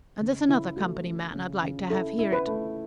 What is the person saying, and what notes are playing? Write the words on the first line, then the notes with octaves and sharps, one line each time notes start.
And there's another Company man I'd like to have hear it.
C#3
C#3 E4
A3 F#4
A3
C#3
C#3
E4 A4
E4
B4
A3